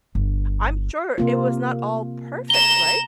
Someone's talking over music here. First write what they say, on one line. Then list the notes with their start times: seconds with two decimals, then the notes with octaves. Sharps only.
I'm sure it was not all perfect, right?
0.15 G1
1.18 C3 A#3 F4
2.50 A#5 E7 G7